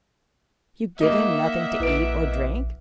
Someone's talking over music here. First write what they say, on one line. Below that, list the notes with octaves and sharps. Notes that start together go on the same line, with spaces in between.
"You give him nothing to eat or drink?"
A#3 D#4 E5 F#5
A#1 E4 B4 D7